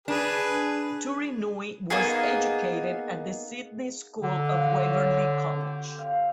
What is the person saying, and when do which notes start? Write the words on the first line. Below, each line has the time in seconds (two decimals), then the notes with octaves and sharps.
Turinui was educated at the Sydney school of Waverley College.
0.08 D4 G#4 B4
1.90 A#3 B3 D#4 G#4
4.22 D3 E3
4.45 C4 F5 F#5
4.81 C4 C#5
5.61 G4
5.99 F5